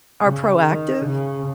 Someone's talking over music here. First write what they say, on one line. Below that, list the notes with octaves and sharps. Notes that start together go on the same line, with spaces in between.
are proactive
C#3
D#3
C#3